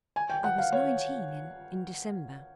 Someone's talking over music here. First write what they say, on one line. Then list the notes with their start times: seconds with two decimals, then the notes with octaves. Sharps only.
"I was nineteen in--in December."
0.16 G#5
0.30 G5
0.44 F#5
0.58 F5
0.72 C#5